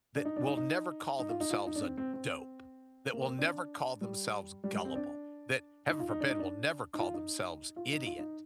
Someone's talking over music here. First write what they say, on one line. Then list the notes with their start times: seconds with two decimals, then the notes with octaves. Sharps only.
that will never call themselves a dope, that will never call themselves gullible, that heaven forbid, will never call themselves idiot,
0.15 D4
0.25 D#4
0.36 D4
0.47 D#4
0.57 D#4
1.19 D#4
1.29 F4
1.40 D#4
1.50 F4
1.67 D#4
1.75 D4
1.81 C4
1.97 C4
2.13 C4
3.13 A#3
3.26 C4
3.38 D4
4.01 G3
4.64 G3
4.75 G3
4.85 C4
4.95 D4
5.89 D#4
6.00 F4
6.10 D#4
6.20 D4
6.30 D#4
6.39 D4
6.94 D#4
6.99 F4
7.14 D#4
7.76 F4
7.92 D#4
8.06 F4
8.19 D#4